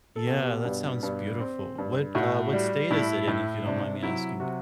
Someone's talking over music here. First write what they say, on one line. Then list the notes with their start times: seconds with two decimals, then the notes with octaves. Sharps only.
Yeah, that sounds beautiful. What, uh, what state is it in, if you don't mind me asking?
0.16 A4
0.27 B2
0.40 G4
0.65 G2
1.03 G2
1.40 C4
1.78 G2
2.15 A2 F#4
2.53 G3
2.91 A2 E4
3.28 A2
3.66 C3 D4
4.03 F#3 E4
4.40 C3 F#4